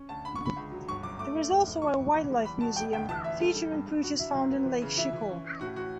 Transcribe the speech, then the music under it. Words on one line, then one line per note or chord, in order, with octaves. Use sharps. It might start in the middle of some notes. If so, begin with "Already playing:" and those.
There is also a wildlife museum, featuring creatures found in Lake Chicot.
Already playing: C#4
D2 A5
D3 B5
C#6
D3
B5
C#2
F#3
G1 C#6
F#2 D6
A3 D6
A3
F#1
F#1
E3 C#6
C#2
E2
G3
E2 B5
B2 A5
E1 G5
D2 G5
E3 A5
A1 E5
G3 A4
G3
G2
G2
D3 F#4
F#3 E4
F#2
B3
E3
C#3
E3 E4
E3
C#4
C#4
A2 F#4
E3 F#4